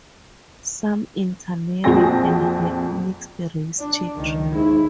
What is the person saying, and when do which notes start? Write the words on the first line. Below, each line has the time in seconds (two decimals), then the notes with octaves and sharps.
Some intermarried and had mixed-race children.
1.84 A#1 F2 C4 F#4 G#4 A#6
3.79 D4
4.16 C#2 D#3
4.55 D#2 G#2 E4